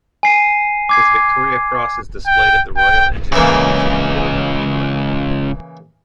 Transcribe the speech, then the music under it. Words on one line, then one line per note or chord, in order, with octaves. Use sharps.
His Victoria Cross is displayed at the Royal Engineers Museum, Gillingham, England.
G#5 C7 D#7
D6 G#6 C7
G5
G5
C#2 C#3 E3 A#3